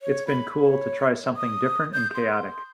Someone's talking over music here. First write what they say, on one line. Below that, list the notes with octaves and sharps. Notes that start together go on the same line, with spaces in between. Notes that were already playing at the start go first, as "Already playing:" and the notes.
It's been cool to try something different and chaotic.
C#5
B5
C#5
D#6
G6
C6